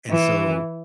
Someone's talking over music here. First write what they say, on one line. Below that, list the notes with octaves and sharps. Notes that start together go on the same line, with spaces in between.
And so,
E3